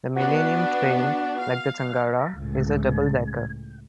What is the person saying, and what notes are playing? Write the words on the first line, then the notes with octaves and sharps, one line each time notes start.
The Millennium train, like the Tangara, is a double decker.
B3 D4 F#4
F5
C#2 A2